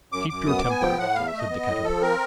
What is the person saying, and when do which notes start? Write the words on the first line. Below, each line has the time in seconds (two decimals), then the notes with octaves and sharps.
'Keep your temper,' said the Caterpillar.
0.12 F#2 D6
0.29 F#2 D6
0.47 B3 D#6
0.58 D6
0.64 B3
0.70 G#5
0.81 F3 G5
0.99 A2 F#5
1.15 E2 F5
1.27 E5
1.32 A3
1.38 D#5
1.50 B3
1.67 A2
1.84 F3 A4
2.02 C4 A#4